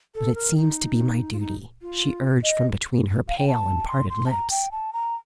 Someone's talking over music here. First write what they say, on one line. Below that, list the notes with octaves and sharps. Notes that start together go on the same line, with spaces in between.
"But it seems to be my duty," she urged from between her pale and parted lips.
A4
A#4
D#4
F4
D#4
F4
D#5
F5
G5
A5
C6
C6
A5
A#5
G5
A5
A#5